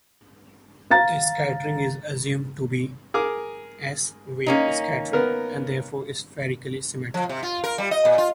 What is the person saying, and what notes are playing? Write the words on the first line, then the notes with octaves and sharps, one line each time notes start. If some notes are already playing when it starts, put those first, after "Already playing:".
The scattering is assumed to be "s"-wave scattering, and therefore spherically symmetric.
F5 A#5 A6
G#4 A#4 D6
A#3 C#4 D#4
B3 A#4
F3
C3
F4
A#4
G3
D#5
A#2
F4